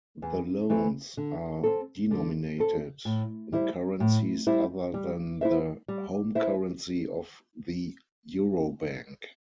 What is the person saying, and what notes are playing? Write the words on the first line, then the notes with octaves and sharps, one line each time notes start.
The loans are denominated in currencies other than the home currency of the Eurobank.
E2
E3 A3 C4
D3
C4 A4
D3
C4 A4
A2
G3 E4 C5
A2
G3 E4 C5
G3
E4 C5 E5
G3
E4 C5 E5